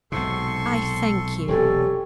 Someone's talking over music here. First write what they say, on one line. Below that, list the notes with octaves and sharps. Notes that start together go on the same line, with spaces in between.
I thank you.
B1 G#2 C3 A4 C6 C#6
E1 C3 F#3 C#4 G4 A4